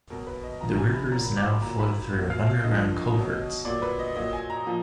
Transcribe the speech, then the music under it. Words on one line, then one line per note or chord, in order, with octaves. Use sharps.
The rivers now flow through underground culverts.
B2 F#3 A#4
B4
D#5
D3 F3 A#5
G#5
B5
A#2 F#3 A#5
B5
D6
B5
A#2 F#3 A#5
B5
A#2 F#3
F5
F5
D3 F3 D#5
B2 F#3
A#2 F#3 D5
B4
D#5
A#2 F#3 D#5
G#5
A#5
A#2 F3